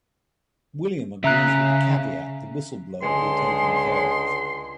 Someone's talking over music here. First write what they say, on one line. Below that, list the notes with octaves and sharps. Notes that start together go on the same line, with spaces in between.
William agrees with the caveat the whistleblower be taken care of.
C#3 E5 A#5 F#6
C#2 D3 G#3 C6